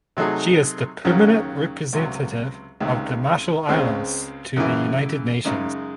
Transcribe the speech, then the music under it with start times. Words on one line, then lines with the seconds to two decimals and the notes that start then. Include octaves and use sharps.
She is the Permanent Representative of the Marshall Islands to the United Nations.
0.17 C3 F#3 A3 D#4 G#4
1.05 D#2 C#3 F#3 C#4
1.93 C#2 C3 F#3
2.80 C#2 C3 D#3 G#3
3.69 C#2 C#3 G#3 C4
4.56 F#2 C#3 E3
5.45 F#2 C#3 G#3 D#4